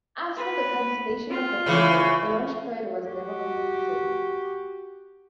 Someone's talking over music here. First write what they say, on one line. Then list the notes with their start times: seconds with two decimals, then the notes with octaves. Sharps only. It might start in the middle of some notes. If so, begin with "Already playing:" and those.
After the cancellation of the program the launch pad was never completed.
0.36 B4
1.30 F4
1.66 C#3 E3
3.08 F#4 G4